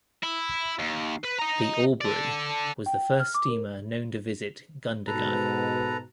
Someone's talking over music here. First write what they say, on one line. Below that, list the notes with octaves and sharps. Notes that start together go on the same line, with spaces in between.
The 'Albury' was the first steamer known to visit Gundagai.
E4
D#2
B4
D#5 A#5
A4 D5
G5
F6
D6
A#4
G#2 B2 A4 B4 A#5